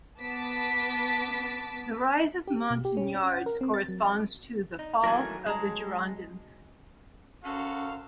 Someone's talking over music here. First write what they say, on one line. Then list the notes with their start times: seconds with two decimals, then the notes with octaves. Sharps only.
The rise of Montagnards corresponds to the fall of the Girondins.
0.20 B3 A5 D6 B6
2.47 G4
2.70 B2
2.85 G4
2.97 C#4
3.15 C#4
3.32 F#5
3.46 A#4
3.61 C4
3.74 A6
3.88 F#3
4.79 D#4
5.04 D#3 E3 F#3 A3 D#4 A#4 G#5
5.46 G#3 G#4 A5 A#5
7.44 F#2 C#4 F#4 A4 C5 F5